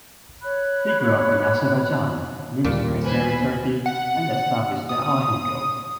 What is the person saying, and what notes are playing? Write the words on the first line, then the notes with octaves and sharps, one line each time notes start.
He grew up in Azerbaijan, moved to Kayseri, Turkey and established the "Ahi" guild.
C#5 B5 F#6
D#2 A#2 G3
B4 C5 G#5
F#5
D#6